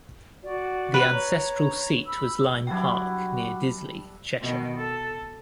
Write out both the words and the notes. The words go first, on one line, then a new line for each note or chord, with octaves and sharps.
The ancestral seat was Lyme Park, near Disley, Cheshire.
F#4 D5
B4
C#5 A#5 C#6
B5 E6
G2 F#3 D4 E4 F#4 G5
B2 D#3
A4